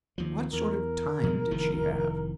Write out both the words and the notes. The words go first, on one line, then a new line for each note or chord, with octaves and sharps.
What sort of time did she have?
D#2 F3
E2 A#4
B2 D3 G#3
F1 D#3 E3